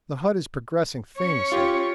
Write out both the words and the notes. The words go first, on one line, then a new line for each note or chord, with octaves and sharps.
The hut is progressing famously.
C#4 C#5 C#6
F4 G4